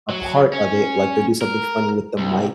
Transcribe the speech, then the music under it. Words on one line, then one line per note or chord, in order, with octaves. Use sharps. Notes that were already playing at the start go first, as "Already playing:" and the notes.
a part of it, like, they'll do something funny with the mic
F#3
C#4
A#4
C2